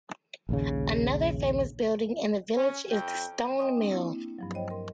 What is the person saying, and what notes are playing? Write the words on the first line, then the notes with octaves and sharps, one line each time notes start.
Another famous building in the village is the 'Stone Mill'.
A#1 D#2 C#3
C#4
F2 G5
D#5 G5 G#5 C6 D#6
C4 D4
A#3 E4
G2 F3 F#3
C5 C#5 D#5 G5
A#4 C6